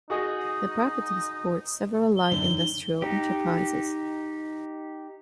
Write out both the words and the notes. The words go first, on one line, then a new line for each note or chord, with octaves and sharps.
The property supports several light industrial enterprises.
D#4 F#4 G#4 D#5
G7
F#2 D3 D#3
D#3
G7
D#4 G4